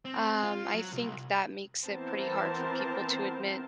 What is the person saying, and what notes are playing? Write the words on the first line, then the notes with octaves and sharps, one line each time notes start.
um, I think that makes it pretty hard for people to admit
C4
F4
F#3
C2
E3 B3 C4 A#4 C5 A5